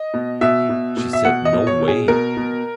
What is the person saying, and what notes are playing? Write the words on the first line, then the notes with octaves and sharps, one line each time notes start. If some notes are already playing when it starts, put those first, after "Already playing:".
She said No way!
Already playing: D#5
B2
B2 E5
B2
B2
E5
B2 F#5
D#5
B2
C#5
B2
G#4
B2 A#4
B2